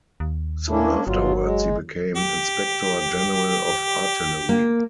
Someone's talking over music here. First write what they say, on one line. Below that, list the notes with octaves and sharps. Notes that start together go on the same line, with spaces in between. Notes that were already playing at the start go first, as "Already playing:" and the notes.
Soon afterwards he became inspector-general of artillery.
D#2
A#3 C#4 D4 E4
G1 E2 B2 F#3 F4
G#3
G4
A#3